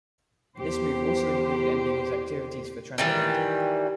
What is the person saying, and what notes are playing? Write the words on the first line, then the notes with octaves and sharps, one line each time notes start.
This move also included ending his activities for Transatlantic.
E2 G4 C5
D#3 E3 G3